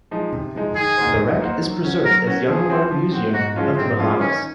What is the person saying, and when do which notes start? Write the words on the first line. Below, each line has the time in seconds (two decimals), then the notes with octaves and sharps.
The wreck is preserved as the Underwater Museum of the Bahamas.
0.11 F3 G#3 D#4
0.33 C3
0.54 F3 G#3 D#4
0.75 D#3 G#4
0.97 A#3 D#4 F#4 C5
1.19 D#3
1.40 A#3 D#4 F#4 C5
1.62 F#3
1.84 C#4 F#4
2.05 F#3 A#4
2.26 C#4 F#4
2.48 F3 G#4
2.70 C4 F#4 C5
2.91 F3
3.12 C4 F#4 C5
3.34 G#2 F#4
3.56 F3 G#3 C#4 F4
3.77 G#2 C4
3.99 F3 G#3 C#4 F4
4.20 D#3 C#4